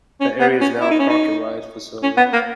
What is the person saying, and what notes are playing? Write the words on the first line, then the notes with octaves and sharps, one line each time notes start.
That area is now a Park and Ride facility.
C#4
B3
C#4
E4
D#4
C#4
D#4
C#4
B3
A#3